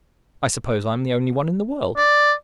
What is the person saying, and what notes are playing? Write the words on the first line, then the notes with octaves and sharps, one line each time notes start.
I suppose I am the only one in the world.
D5